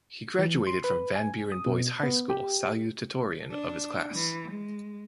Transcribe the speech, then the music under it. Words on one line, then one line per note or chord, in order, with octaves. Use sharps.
He graduated from Van Buren Boys High School salutatorian of his class.
E3
C6
B4
G#5
D#6
B2
B3
G4
D4
E3
G#3